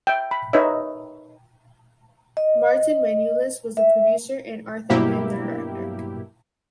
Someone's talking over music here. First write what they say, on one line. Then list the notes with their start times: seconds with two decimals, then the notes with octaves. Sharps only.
Martin Manulis was the producer and Arthur Penn the director.
0.07 E5 G5
0.31 B5
0.53 D#4 B4 C#5 D#5 E5
2.37 D#5
3.77 E5
4.90 G2 B2 F#3 A#3 E4 G4